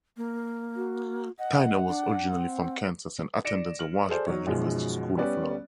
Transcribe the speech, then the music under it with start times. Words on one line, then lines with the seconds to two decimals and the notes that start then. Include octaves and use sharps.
Tyner was originally from Kansas and attended the Washburn University School of Law.
0.17 A#3
0.76 F#4
1.38 D#5 F#5
1.87 D4
2.32 C4
3.45 D5 A#6 C#7 D7 E7
3.79 F6 F#7
4.09 G#4 A4 C5 D5
4.27 F#3 D#4 C#5
4.47 F#2 B2 D#3 F3 G#3
5.17 G3 B3 C#4 D5